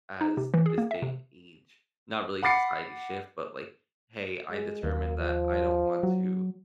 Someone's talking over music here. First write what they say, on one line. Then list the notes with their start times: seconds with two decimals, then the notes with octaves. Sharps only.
as this day and age not really society shift, but, like, "hey, I determined that I don't want to
0.21 D#4
0.37 C3
0.54 E3
0.66 G#4
0.78 A#3
0.91 E5
1.02 C3
2.43 F#5 B5 D6 A6 C7 C#7
4.51 G#3
4.84 D#2 A#3
5.19 F3
6.03 F#3